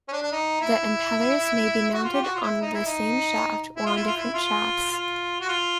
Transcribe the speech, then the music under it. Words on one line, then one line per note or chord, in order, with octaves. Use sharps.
The impellers may be mounted on the same shaft or on different shafts.
C#4
D4
D4
D#4
E4
F#4
F4
G4
F#4
F4
E4
D#4
E4
D#4
E4
F4
E4
F4
E4
F4
F4
F#4
F4